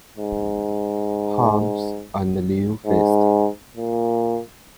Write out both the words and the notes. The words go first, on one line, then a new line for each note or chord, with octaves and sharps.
Harms, and Leo Feist.
G#2
G#2
A#2